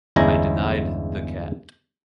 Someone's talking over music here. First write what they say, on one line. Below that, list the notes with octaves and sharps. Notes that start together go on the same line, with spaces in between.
I denied the cat.
G1 E2 G#3 C#4 E4 A#5